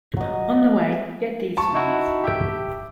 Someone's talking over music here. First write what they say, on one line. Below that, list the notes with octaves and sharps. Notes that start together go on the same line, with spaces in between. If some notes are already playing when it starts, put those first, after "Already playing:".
On the way get these things.
F#3 D#5
A5 C#6
D#4 E4 F#4
G4 E5 G5